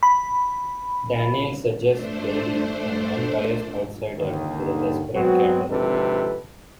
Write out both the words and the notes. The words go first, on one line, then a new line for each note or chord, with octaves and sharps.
Daneel suggests Baley, an unbiased outsider, to the desperate captain.
B5
A3 D4 C5
D#2 D3 D#3
F#3 G#3 B3 C4 F#4
G#1 F2 C3 D4 A4 B4